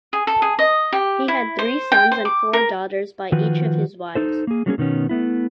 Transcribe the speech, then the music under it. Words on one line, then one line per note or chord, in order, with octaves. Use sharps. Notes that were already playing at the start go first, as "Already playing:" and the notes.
He had three sons and four daughters by each of his wives.
G#4
A4
G#4
D#5
G4
E4
C5
G5
C5
D6
A#4
D#3 F3 F#4 B4
D#4 A4 C5
A#3 G#4
F#3 G3 A#3 C#4 F#4 G#4
B2 D#3 B3 C#4
A3 B3 E4